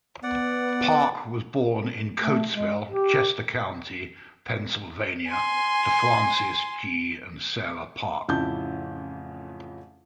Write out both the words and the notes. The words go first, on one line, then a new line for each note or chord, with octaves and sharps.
Parke was born in Coatesville, Chester County, Pennsylvania, to Francis G. and Sarah Parke.
B3 D5 F#5
A3
G#3
G4
G#5 C6
A1 F2 C#3 E4 A5 G6